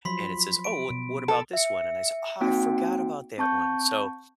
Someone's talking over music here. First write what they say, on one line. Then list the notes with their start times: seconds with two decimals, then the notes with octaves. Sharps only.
and it says, "Oh, wha what about this one?" and I said, "Oh, I forgot about that one." So,
0.05 F3 F#3 B5 C6 B6
0.64 D7
0.90 B2
1.28 A4 A5
1.53 E5 C#7
2.41 A#3 C4 D#4 F#4 G5 D7
3.38 C4 A5 C#6 G6